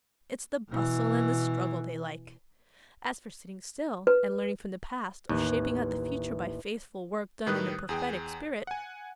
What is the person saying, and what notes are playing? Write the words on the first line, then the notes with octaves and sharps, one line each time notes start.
It's the bustle and the struggle they like. As for sitting still, and learning from the past, or shaping out the future by faithful work done in a prophetic spirit--Why!
B2 E3
B4
A1 D#2 F#6
A2 D#3 G3 B4 D#6 F#6
E2 G#4 G5
F#5 G#5